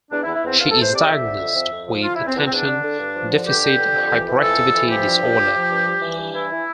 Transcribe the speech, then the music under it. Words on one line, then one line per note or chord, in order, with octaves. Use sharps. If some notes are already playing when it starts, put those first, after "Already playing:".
She is diagnosed with attention deficit hyperactivity disorder.
E2 D4
E4
E2
E4
E2 C4
E2 F4
E3 A4
C5
C3 D5
F2 E5
D3
F2
F2
F2
F3
F3 F4
E2 E4
C4
E2 D4
C4
E2 D4
D3
D3
G2
F3
D3
G2 G4
D3
D3
F2
E3
E3
F2 A4
F2
E3
F3 G4
G2
F3
F3
F3
G2
G2
E3
G2
E3 E4
E3